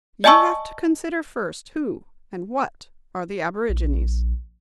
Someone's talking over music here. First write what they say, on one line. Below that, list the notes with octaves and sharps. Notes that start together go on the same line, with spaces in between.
You have to consider, first, who and what are the aborigines.
D5 D#5 G#5 A5 C#6 E6
A#1